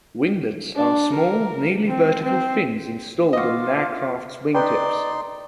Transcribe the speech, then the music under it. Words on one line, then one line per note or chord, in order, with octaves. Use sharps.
Winglets are small, nearly vertical fins installed on an aircraft's wing tips.
D4
A#4
C4
C4
F4 F#4 D#5 F5 D6
D#4 B4 D5 G5 C6